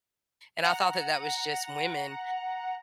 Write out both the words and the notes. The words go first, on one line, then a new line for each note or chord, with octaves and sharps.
and I thought that that was just women,
F#5 A#5